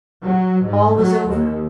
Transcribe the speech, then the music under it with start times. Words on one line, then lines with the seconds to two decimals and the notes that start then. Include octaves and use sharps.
All was over.
0.24 F#3
0.64 G#2
0.96 F#3
1.27 D#2